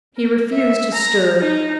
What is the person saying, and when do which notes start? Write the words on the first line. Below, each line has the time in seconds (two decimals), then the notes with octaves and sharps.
He refused to stir.
0.17 A#4
0.50 E5
0.94 A#5
1.40 D#4